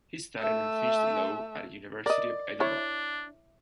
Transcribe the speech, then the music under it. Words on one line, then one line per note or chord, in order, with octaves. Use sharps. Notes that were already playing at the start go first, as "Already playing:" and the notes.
He studied and finished law at University of Edinburgh.
A3 E5
A#4 D5 D#5
D4 E4 C#5